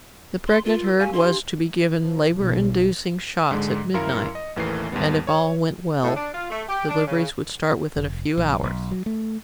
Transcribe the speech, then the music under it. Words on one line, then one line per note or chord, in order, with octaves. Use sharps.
The pregnant herd was to be given labor-inducing shots at midnight, and, if all went well, deliveries would start within a few hours.
C6
F4 A#4
E6
G4 F5 G#5 C#6
D4 F#4 C6
D4 G4
F3
B1
G#2 D3 G#3
F#2 E4 A#4 F5 C6 C#7
D#5
A1 D#2 E3 A3 A#4 C7
D#2 G#2 G3 B3
C#5
A2
D4
F4
A3
G4
D4
C#3
F1
A#1
B1
F#3
A3